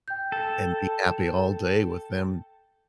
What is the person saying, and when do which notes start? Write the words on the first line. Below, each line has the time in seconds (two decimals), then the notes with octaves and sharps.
and be happy all day with them
0.08 G5 G6
0.32 A4